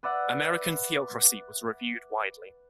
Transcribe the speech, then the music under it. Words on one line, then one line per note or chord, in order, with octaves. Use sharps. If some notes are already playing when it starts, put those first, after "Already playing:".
"American Theocracy" was reviewed widely.
B4 D5 E5 F#5